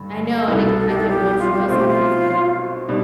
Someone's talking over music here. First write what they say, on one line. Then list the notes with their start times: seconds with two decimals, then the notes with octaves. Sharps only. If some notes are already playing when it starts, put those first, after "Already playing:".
I know, and I expect a Rolls Royce because of it.
Already playing: G2 D3
0.48 C2 B2 B3 A4
0.79 A4
0.89 G4
0.98 A4
1.08 G4
1.39 F4
1.54 G4
1.68 B2 A3 C4 F4
1.78 G4
1.88 F4
2.88 B2 G3 D4